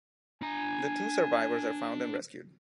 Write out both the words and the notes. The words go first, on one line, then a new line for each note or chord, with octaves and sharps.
The two survivors are found and rescued.
D4 G#5 A#5